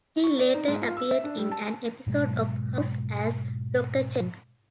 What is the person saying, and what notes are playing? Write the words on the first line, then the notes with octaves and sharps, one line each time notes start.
She later appeared in an episode of "House" as Doctor Cheng.
C#6
D5
D#4
G#2
F4
E6
E5
D4
G3
A5
G#2 B2 F#3 G#3